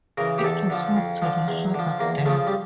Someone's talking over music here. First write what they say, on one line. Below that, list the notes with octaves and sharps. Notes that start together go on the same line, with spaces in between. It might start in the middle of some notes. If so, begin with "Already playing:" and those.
It is home to the Hardap Dam.
C#3 E3 A#4
G4
E2 A4
D3 F3
F2
D3 F3
E2
D3 F3
E2 A#3
C#3 F3 A3
G3